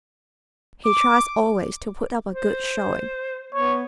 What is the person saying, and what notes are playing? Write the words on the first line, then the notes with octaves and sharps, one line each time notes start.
He tries always to put up a good showing.
D6
C5
B3 C#5